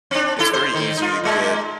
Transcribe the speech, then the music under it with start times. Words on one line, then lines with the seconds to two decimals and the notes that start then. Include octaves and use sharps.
it's very easy to get
0.11 C4 D4
0.39 E4 A4
0.53 C5
0.74 D#3
0.97 D#4 F4
1.24 A#2 G#3